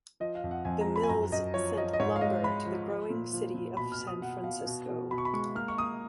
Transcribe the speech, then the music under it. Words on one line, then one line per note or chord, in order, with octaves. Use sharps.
The mills sent lumber to the growing city of San Francisco.
F3 D#5
F5
F2
F#5
F2 G#5
A#5
F3
B5
G#5
F#2 A#5
F#2 D#5
F3 C#5
F3 D#5
D#5
G#2 C#5
F5
G#3 D#5
G#3 B5
F3
F3
A#2
F3
A#2
B2 B5
F6
B2
D#6
B2 F#5
B2 F5
B2
B2
B2 B5
C#6
B5
G#3 C#6
A#3 F6
C#6
A#3 D#6